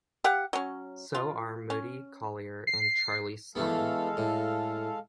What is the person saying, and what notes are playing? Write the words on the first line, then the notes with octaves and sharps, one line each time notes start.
So are Moody Collier and Charlie Sloane.
G4 F5 F#5
F#3 C#4
F4
C#4
C7
E3 G#3 A3 B3 A4 F5
A2